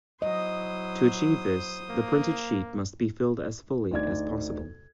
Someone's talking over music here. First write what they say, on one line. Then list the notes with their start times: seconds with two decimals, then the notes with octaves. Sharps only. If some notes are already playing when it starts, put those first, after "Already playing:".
To achieve this, the printed sheet must be filled as fully as possible.
0.22 F#3 E4 C5 D#5 D#6
1.90 A#3
3.91 D2 D#4 D5 G#6